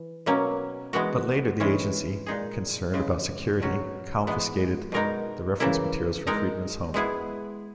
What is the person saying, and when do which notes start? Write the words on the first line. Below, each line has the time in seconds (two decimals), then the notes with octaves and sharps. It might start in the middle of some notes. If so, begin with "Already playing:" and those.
But later the Agency, concerned about security, confiscated the reference materials from Friedman's home.
Already playing: E3
0.26 B2 F#3 A#3 C#4
0.93 E3 G#3 B3 F#4 A#4
1.60 E3 G#3 C#4
2.26 A#2 G#3 D#4 G#4
2.94 C#3 E3 G#3
3.60 B2 F#3 C#4 F#4
4.27 E3 G#3 B3
4.92 B2 G#3 D#4 A#4
5.60 C#3 E3 A#3 E4
6.27 G#3 D#4 A#4
6.94 G#3 B3 E4 G#4